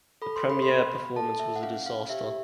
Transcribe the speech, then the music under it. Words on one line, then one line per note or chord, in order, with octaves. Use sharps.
The premiere performance was a disaster.
A4 B5
C6
B5
C6
B3 B5
A4 A5
E5
F#5
C#4 F5
F5
G4 E5